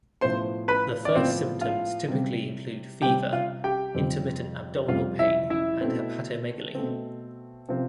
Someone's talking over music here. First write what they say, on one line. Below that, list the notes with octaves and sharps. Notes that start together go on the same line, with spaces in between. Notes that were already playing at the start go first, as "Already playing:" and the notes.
The first symptoms typically include fever, intermittent abdominal pain, and hepatomegaly.
A2 F3 B3 C5 C6
B4 B5
D5
A2 F3 B3 C4 C5
F4 F5
C3 G3 C4
C3 G3 C4 G4 G5
F4 F5
G4 G5
F2 C3 G3 C4
F2 C3 G3 C4 F4 F5
E4 E5
E4 E5
B2 A3 C4
B2 A3 C4
C3 F3 C4